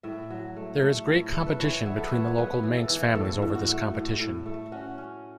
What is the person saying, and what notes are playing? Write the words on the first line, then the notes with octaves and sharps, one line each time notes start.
There is great competition between the local Manx families over this competition.
A2 E5
F#3
A3
A3
A2
A3 A4
B4
E3 C#5
B3 E5
A4
B4
B3 C#5
B3 B4
E3
A4
E3
A2 A4
A2
F#4
A3
A2
A2
A3
C#4 F#4
C#4